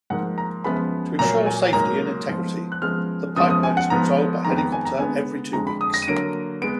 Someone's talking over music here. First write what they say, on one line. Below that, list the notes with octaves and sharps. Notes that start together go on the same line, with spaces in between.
To ensure safety and integrity, the pipeline is patrolled by helicopter every two weeks.
G#2 F3 A#3 F#5
A#5
F#2 F3 G#3 B3 B5
A#2 F#3 A#3 A#5
G#5
G#2 F#3 A#3 A#5
G#2 F3 B3
F#6
F#2 F3 G#3 B3 F6
F#2 F3 G#3 B3 D#6
D#6
G#5
F#5
G#2 F3 B3 A#5
F2 D#3 G#3 B3 A#5
A#5
G#5
A#5
D3 G#3 B3 G#5
F2 D3 F3 G#3 A#5
B5
D#6
A#6
D#7
D3 F#3 A#3 D7
G#3 B3 D7